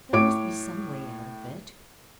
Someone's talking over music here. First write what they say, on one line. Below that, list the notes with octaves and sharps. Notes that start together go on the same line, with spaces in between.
There must be some way out of it.
A2 C#5 C#6 D6 D7